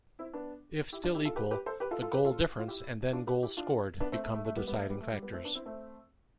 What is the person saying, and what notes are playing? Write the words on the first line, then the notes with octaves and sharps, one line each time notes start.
If still equal, the goal difference and then goals scored become the deciding factors.
C4 E4
B3 D4
E4 G4
D4 F4
E4 G4
F4 A4
G4 B4
G4 B4
A4 C5
G4 B4
F4 A4
F4 A4
G4 B4
F4 A4
F4
E4 G4
D4 F4
G4 B4
E4 G4
D4 F4
B3 D4
A3 C4
A3
A3
A3
G3 B3
G3 B3
A3
G3 B3
A3
G3
G3 B3
A3 C4
B3 D4
C4 E4
A3 C4